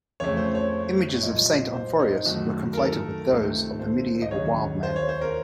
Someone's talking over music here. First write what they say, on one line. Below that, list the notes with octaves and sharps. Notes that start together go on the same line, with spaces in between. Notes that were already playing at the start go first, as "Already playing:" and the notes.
Images of Saint Onuphrius were conflated with those of the medieval "wild man".
F2 C#3 A3 C#5
C5
C#5
C#5
C2 A#2 F#3 A#3 D#5
C5
D#4
F#2 D#3 A3 F#4
A#4
A4
C#2 C3 D#3 A3
C5
D#5
D#2 C#3 F#3 C#5
C5
C#5
C5
A#4